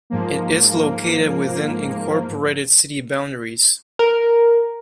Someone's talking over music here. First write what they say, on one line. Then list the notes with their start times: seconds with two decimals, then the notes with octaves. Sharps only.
It is located within incorporated city boundaries.
0.10 G#2 F3 A#3
3.99 A#4